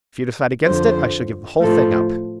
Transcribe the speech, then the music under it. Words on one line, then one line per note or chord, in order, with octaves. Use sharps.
If you decide against it, I shall give the whole thing up.
F2 D3 F3 C5
A2 F3 A4